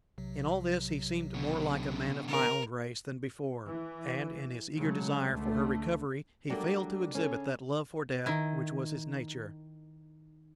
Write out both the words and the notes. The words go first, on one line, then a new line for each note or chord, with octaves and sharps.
In all this he seemed more like a man of my own race than before, and in his eager desire for her recovery he failed to exhibit that love for death which was his nature.
B1 C3 F#3
B2 D3
A#4
E3
C#3 F#3 G#3 A3
C#2 D3 A3
F#3 G3 A3 A#3 D4
C#3 C#4 D4 A4
D#3 E4